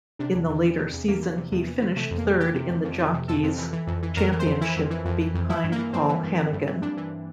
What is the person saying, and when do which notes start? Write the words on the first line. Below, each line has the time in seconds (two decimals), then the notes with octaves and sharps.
In the latter season he finished third in the Jockeys' championship behind Paul Hanagan.
0.19 C3 D4
0.34 E2
0.49 E2
0.64 E3
0.78 C3
0.93 E2
1.08 E2 A#3
1.22 E3
1.37 C3
1.52 E2
1.67 E2
1.81 E3
1.96 C3 A3
2.11 F2
2.18 A#3
2.26 F2
2.40 E3 G4
2.54 C3
2.70 F2
2.84 F2
2.99 E3
3.14 C3
3.28 F2 A4
3.43 F2
3.58 E3
3.73 E3
3.87 F2
4.02 E3
4.17 F2 A#4
4.32 E3
4.39 C5
4.46 F2
4.61 E3 E4
4.76 F2
4.90 E3
5.05 F2
5.20 E3
5.34 F2
5.49 E3 E4
5.64 G2
5.72 A#3
5.78 E3
5.93 G2 C4
6.09 E3
6.23 G2
6.38 E3
6.53 G2
6.67 E3
6.82 G2 D4
6.97 E3